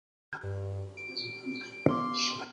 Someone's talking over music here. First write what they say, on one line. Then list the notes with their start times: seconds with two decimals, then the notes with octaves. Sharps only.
Scott initially committed to play college baseball at Arizona.
0.43 G2
0.97 D7
1.89 B3 C6 D6